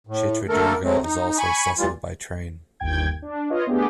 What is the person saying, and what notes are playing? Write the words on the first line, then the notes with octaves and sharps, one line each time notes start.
Chitradurga is also accessible by train.
A2
D3 A3 A#3 A4 A#4
F#3 G#3 A3 C4
D#4
G#5 B5 C#6
D2 E3 G3 F4
G1 D#2 G5 G#6
D4
F4 B4 C#5 D#5 F5
A3 B3 D4 G4 G#4